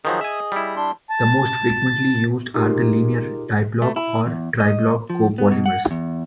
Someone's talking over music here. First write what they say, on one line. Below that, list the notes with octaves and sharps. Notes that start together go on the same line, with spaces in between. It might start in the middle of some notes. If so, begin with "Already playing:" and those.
The most frequently used are the linear diblock or triblock copolymers.
D#3 F3 F#3 G#4 D#5
E5 G#5
G3 E4
D4 C6
A5
D#4 F4 G4 G#4 A#4
A3
E4
E2
D#5
F3
B3
B2
F#5
E2